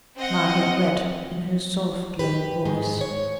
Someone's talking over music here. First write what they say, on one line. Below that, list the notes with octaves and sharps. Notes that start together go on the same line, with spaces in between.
Margaret read in her soft low voice.
C4 D#5 F#5
G4 B4
G#2 G#3 B3
G#2 C#5